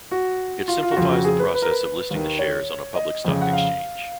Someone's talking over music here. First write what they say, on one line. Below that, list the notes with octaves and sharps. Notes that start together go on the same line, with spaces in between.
It simplifies the process of listing the shares on a public stock exchange.
F#4
F4
F4
F#4
F2 C#3 F4
F#4
G#4
B4
B4
A#4
B4
D#2
D#3
C#5
D#5
F2 C#3
F#5
F5